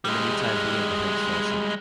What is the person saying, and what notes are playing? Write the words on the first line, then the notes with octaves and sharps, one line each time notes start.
In the meantime, he and the hens fell asleep.
G3 G#3